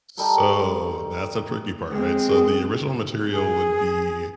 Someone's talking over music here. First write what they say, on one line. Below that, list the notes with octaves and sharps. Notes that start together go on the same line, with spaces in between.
So that's a tricky part, right? So the original material would be
G3 D#4 A4 A#4
G#3 C4
G#4
G#4